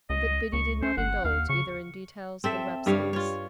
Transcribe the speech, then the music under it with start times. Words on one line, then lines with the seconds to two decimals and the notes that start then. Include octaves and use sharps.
But Biddy did not indulge either in details or rhapsodies.
0.10 C#2 D#5
0.53 C#2 C#6
0.83 C#4 C5
0.98 G1 F#5
1.25 D#2 F5
1.49 C#3 C#6
2.44 C4 A4 E5
2.86 G2 G3 C#5 F5
3.13 F4 C#5